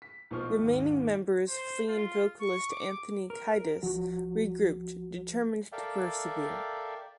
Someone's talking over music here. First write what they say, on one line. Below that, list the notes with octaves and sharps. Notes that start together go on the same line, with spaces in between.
Remaining members Flea and vocalist Anthony Kiedis regrouped, determined to persevere.
B6
B1 F3 C5 C#6 F6
G#1 D#2 G#2
C5
F4
C#6
D6
A#4
C2 F3 F#4
A4 A#4 D5 E5 F5 G5